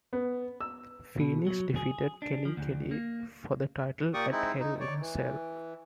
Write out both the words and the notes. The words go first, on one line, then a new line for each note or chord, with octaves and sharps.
Phoenix defeated Kelly Kelly for the title at Hell in a Cell.
B3
E6
B2
F#3
G#4
D4
F3
D2
A#3
A#2 A#3 G4 D5 C#6 D#6
G#3 C4 D#4 E4
D#4
C#5 D5
E3